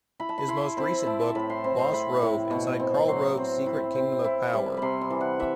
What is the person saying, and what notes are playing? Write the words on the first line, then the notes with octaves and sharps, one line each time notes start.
His most recent book "Boss Rove: Inside Karl Rove's Secret Kingdom of Power".
E4 B5
A5
B5
E4 C6
C4 B5
E4 A5
A5
A2 B5
C6
C4 B5
C6
A2 B5
A2
B2
C4
F#3 C6
C4
E4
C4
E4
G3
C3 B5 C6
C6
E3
F#5
E3 E5